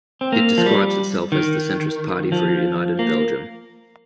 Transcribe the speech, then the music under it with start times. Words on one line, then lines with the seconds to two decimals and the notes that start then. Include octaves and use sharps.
It describes itself as "The Centrist Party for a United Belgium".
0.21 C4
0.32 A#3
0.58 F3
0.66 G3
1.32 D#3
2.32 F3
2.99 A#3